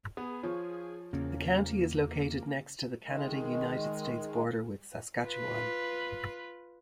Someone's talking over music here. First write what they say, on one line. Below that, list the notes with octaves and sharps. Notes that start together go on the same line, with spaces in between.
The county is located next to the Canada-United States border with Saskatchewan.
B3 G#4
F3 F4 C#5
E2 C#3 A#3 C#4
D#3 G#3
F4 B4